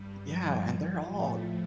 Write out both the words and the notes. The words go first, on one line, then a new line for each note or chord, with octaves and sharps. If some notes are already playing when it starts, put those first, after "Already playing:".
Yeah, and they're all
Already playing: G2 G3
F3
A2 A3